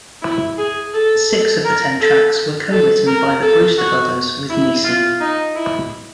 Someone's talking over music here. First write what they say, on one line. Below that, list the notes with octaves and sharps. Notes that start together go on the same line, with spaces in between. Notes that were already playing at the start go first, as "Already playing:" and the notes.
Six of the ten tracks were co-written by the Brewster brothers with Neeson.
E4
G#4
A4
A4
A#4
A4
A4
A#4
A4
F#4
E4
F4
D#4
E4